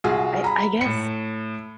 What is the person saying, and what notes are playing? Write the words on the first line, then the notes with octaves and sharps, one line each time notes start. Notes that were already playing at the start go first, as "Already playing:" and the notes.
I I guess,
C2 F4 F#4 G#4
A#5 B5
A2 C#7